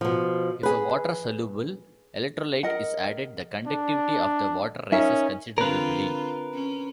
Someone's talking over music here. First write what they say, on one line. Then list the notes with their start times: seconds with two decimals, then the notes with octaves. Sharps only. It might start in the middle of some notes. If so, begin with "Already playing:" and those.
If a water-soluble electrolyte is added, the conductivity of the water rises considerably.
0.01 B2 F3
0.63 G#4 B4
2.63 A#4 D#5 F#5
3.67 D4
4.92 C#4 D#4 A#4 E5
5.58 D3 C4 F4 A#4 B4
6.54 C#4